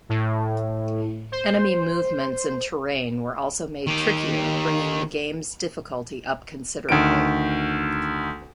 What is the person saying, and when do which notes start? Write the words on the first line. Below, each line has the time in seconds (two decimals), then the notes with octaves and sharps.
Enemy movements and terrain were also made trickier, bringing the game's difficulty up considerably.
0.09 A2
1.32 C5
3.87 D#3 G4
6.89 D2 D#3 D7